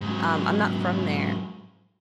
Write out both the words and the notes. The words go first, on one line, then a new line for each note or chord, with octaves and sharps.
um, I'm not from there,
G#2 F#3